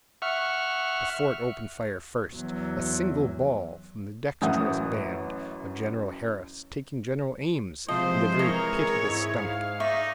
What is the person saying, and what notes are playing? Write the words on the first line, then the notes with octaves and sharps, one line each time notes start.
The fort opened fire first--a single ball from the dexterous band of General Harris taking General Ames in the very pit of his stomach.
E5 F#5 C#6 F6
E2 F#3
A1 F#2 E5 F#5 D#6
C3 E3 F3 G#3 C4 C5 D#5
G#4 A#4 C#5 D#5 A#5
G#2 D#4 E4 G#4
G#4 F5
D#4 D5 E5 C#6